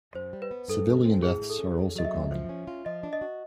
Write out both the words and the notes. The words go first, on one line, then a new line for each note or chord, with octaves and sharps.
Civilian deaths are also common.
F#2 C5
G3
B4
B3
G2 A4
G#3
C4
A2 G#4
A3
A4
C#4
F#2
F#3 D#5
E5
F#2
F3
C#4
F4
F3 D#5
D4
D#5
F#4